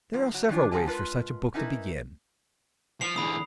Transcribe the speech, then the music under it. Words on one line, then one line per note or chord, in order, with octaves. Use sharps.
There are several ways for such a book to begin.
G#2 F3
C#3 F#3
D#3 E3 C#4 D4 F4
C#3 F#3 C4 C#4 G#4 A5
G#3 F4 A#4 B4
C#4 D#4 E4 G#4 A#4 B4
F3 C7 F7
E2 D3 B5 D#6